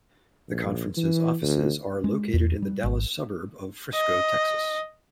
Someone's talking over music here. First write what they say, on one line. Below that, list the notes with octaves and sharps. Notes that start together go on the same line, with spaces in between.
The conference's offices are located in the Dallas suburb of Frisco, Texas.
A#1
E3
D2
G#3
E2
G3
G#1
D#5